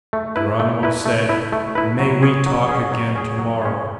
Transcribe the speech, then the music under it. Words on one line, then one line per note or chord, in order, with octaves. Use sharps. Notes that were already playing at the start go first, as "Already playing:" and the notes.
Geronimo said, "May we talk again tomorrow?"
A3
E4 B4
A3
E4 B4
A3
E4 B4
A3
E4 B4
F#3
C#4 G#4
F#3
C#4 G#4
F#3
C#4 G#4
F#3
C#4 G#4